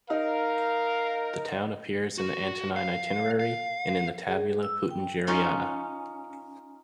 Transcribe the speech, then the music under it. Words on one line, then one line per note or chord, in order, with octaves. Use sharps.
The town appears in the Antonine Itinerary and in the Tabula Peutingeriana.
D#4 A#4 F5
F#4
F5
F5
G#4
E6
G5
C#4 D#4 F4